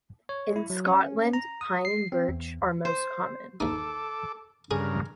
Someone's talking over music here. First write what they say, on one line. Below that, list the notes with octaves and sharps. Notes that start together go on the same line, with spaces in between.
In Scotland, pine and birch are most common.
C#5
E4
F#3
C#4
A#5
D#6
C7
C4
E2
C5
D#2 D#4 A4 D6
G2 C#3 G#4 A#4